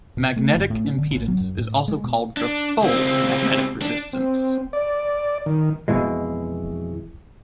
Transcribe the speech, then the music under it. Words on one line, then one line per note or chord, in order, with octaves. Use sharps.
Magnetic impedance is also called the "full" magnetic resistance.
B2
A3
G1
A2
C#4
D3
A1
F#3
F#2
A2
G#3
B2
D4
C#2 C4
D4
C4
D5
D#3
F2 B2 E3 G#3